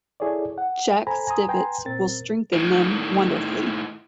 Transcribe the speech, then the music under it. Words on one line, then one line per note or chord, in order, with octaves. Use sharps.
Jack Stivetts will strengthen them wonderfully.
E4 G#4 A4 C#5 D5
F#5
A4 C5 G#5 A#5 B5
G#5 A#5 C6 D#6
B4 G5 G#5 A#5 C6
A#2 C4 A#4 A6
A2 D#3